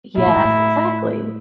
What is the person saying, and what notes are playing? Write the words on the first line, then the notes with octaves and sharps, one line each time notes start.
Yes, exactly.
A#2 E4
A2
G#2
A2